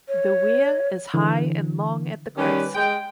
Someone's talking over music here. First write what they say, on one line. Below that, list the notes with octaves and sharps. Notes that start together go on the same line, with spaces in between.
The weir is high and long at the crest.
C#5
D3 E3
D#3 G3 C#4 G4 B4
G#3 G5